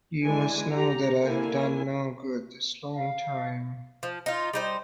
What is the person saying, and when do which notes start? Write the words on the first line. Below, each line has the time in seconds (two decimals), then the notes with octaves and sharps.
You must know that I have done no good this long time.
0.24 E3 G#3 D4 G#5
0.70 G4 A#5
1.22 D3 A#3 E4 G#5
2.95 F5
4.03 F3
4.26 D#4 F4
4.53 G3 D#4 C5